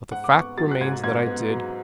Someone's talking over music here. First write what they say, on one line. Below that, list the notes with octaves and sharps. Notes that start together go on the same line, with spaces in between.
But the fact remains that I did.
G#2 F#5
D6
B3 C#6
F#3 A6
F#6
G#2 G#6
G#2 G#6
B3
F#3